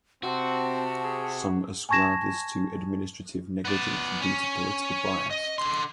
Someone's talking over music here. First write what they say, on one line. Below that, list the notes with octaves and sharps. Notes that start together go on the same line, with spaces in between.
Some ascribe this to administrative negligence due to political bias.
C3 C4 F#4 A5
G#4
G#5 A5 C#6 G#6 A#6 E7
B3 D5
C#4
D#5
D3 C6